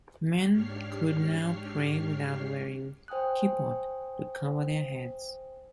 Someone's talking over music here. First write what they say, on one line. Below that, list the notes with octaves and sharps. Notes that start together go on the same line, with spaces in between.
Men could now pray without wearing kippot to cover their heads.
G#2 D4 G4 C#5 F6 C7
C5 G5 G#5 D#6 F#6